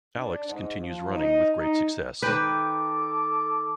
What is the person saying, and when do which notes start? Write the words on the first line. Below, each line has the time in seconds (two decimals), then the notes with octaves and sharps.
"Alix" continues running with great success.
0.16 D4
0.48 G#2
0.79 F3
1.13 D#4
1.56 D#4
2.22 D#3 A4 B4 C5 G5 D6